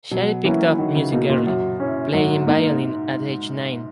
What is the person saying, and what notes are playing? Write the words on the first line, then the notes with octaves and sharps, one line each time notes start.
Shari picked up music early, playing violin at age nine.
B2 F#3
E3 F#3 A#3 C#4 E4
D#3 F#3
C#3
B2 A#3 D#4
A#2
F#2 F#3
C#4 E4
G#2 F#3
G#2 A#3 D#4